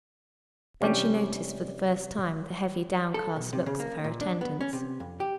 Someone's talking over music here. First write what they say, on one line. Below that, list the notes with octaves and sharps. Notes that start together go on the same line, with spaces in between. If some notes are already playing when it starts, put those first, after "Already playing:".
Then she noticed for the first time the heavy, downcast looks of her attendants.
C3 E3 G3 C#4 D4 G4
A4
B1
C3
C#3
A#3
A#2
D4
B3
C#4
C3
F2
G4